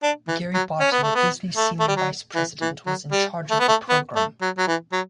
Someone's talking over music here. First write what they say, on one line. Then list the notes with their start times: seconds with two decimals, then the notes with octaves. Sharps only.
Gary Barton, a Disney senior vice president, was in charge of the program.
0.03 D4
0.28 E3
0.54 F#3
0.80 C#4
0.92 B3
1.03 A3
1.15 B3
1.57 A3
1.80 A3
1.88 G3
1.96 F#3
2.35 E3
2.61 E3
2.86 F#3
3.12 G3
3.51 A3
3.60 B3
3.68 A3
3.90 B3
4.16 A3
4.42 F#3
4.58 F#3
4.68 E3
4.93 F#3